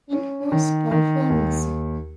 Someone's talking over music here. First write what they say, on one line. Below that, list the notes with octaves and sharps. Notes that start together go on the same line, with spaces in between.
In Who Stole Feminism?
C#4
D#3
D#3
D#2